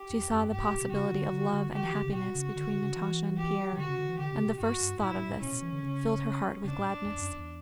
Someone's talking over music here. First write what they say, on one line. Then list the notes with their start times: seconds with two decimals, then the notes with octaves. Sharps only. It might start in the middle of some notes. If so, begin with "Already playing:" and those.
She saw the possibility of love and happiness between Natasha and Pierre, and the first thought of this filled her heart with gladness.
Already playing: G4
0.10 E2
0.30 F#2
0.51 G2 G4
0.61 A2
0.71 A2
0.82 B2
0.91 C#3 F#4
1.12 D3
1.33 D3
1.53 D3
1.73 D3 G4
1.84 E3
1.94 D3
2.04 C#3
2.15 B2 F#4
2.35 C#3
2.56 D3
2.69 D3
2.82 C#3
2.97 E3
3.37 G4
3.72 E3
3.78 D3 F#4
3.88 C#3
3.99 D3
4.09 E3
4.19 D3 G4
4.33 C#3
4.46 B2
4.60 G2 F#4
4.81 G2
5.00 A2 E4
5.15 A2
5.28 A2
5.41 B2 C#4
5.52 B2
5.62 E3
5.73 D3
5.83 C#3
6.64 C#3 D4
6.78 A2
7.05 E2
7.19 F#2
7.32 E2